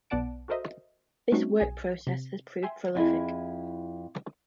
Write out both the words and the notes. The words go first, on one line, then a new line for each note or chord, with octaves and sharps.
This work process has proved prolific.
B1 B3 D5 F#5 A5 D7
F#4 A4 A#4 C5 D#5 E5
G3 A3 C4 C#4 D#4 F#4
B1 G#4 G#5
C3
E5 G5 G#5 C6
F2 E4 G#4